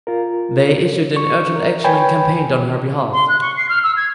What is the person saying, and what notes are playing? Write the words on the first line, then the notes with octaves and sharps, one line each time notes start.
They issued an Urgent Action and campaigned on her behalf.
F4 A#4
C#6
A#4
B4 C#5 G5 G#5 B5
C6
F#6
C#6
C7
F6
E6
G#6